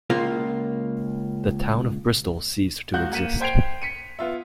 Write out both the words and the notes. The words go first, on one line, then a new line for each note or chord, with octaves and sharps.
The town of Bristol ceased to exist.
C#2 A#3 F4
C#2 F#4 F#6 G6
A#3 F#5 B6 D#7 E7
C5 G5 G#6 C7 D7 F7
B6 C#7 D#7
B3 F4 E5